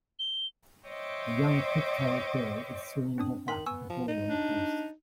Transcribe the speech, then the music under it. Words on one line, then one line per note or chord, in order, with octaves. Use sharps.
A young pigtailed girl, is swinging her bat at a ball on a post.
G7
C5 C#5 D#5 E5 G5 D6
C4 D4 D#6
D#3 C6 B6
B3 G#5 C#6 E6
F3
D#4
D4